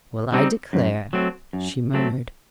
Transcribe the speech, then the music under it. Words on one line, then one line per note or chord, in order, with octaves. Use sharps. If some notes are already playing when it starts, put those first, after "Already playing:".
'Well, I declare,' she murmured.
G3 C4 D#4
F#2
F#3 A3 C4
F#2
F#3 A3 C4